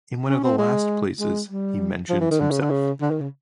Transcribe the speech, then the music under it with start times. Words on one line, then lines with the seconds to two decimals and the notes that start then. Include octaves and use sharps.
In one of the last places, he mentions himself.
0.28 C#4
0.44 C4
0.58 G#3
1.20 G#3
1.49 G3
2.09 F3
2.20 E3
2.31 D#3
2.40 D3
2.51 C#3
2.61 D3
2.70 C#3
3.01 D3
3.11 D#3
3.21 C#3